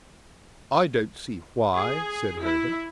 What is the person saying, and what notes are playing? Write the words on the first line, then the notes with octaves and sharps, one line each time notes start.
"I don't see why," said Herbert.
G#4
E4